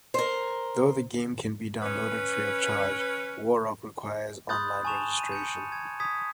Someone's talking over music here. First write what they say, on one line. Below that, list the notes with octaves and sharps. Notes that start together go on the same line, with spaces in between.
Though the game can be downloaded free of charge, War Rock requires online registration.
A#4 C5
C#4 B4
B5 C6 D#6 F#6 G6 A6
G#5 A5 C#6 E7 F7
D#7
G6 C#7
G#6
D#6 G#6 B6